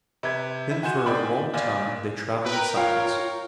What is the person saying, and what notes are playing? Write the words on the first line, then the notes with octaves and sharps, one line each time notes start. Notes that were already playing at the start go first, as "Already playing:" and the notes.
Then for a long time they traveled in silence.
C3 B4 G#6
E4
F#4 G#5 C6 G6 E7
C4 D#4 D5 G5 G#5 B5
F#1 D5 F5 G#5
A#4 B4 G5
F4 C#5 F5